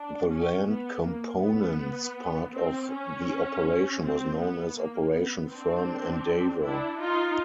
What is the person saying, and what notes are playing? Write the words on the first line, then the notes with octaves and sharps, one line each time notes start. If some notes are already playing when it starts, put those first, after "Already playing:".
The Land Component's part of the operation was known as Operation Firm Endeavour.
Already playing: D4
C#4
B3
A#3
B3
C4
C#4
C4
B3
A#3
B3
C4 D4
D4 E4
D#4 F4